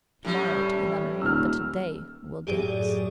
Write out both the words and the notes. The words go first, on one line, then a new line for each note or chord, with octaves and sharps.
To-morrow to the nunnery, but to-day we'll dance.
A2 G3 C#4
D#1 E6 F6
F#2 A2 G4 G#4 D5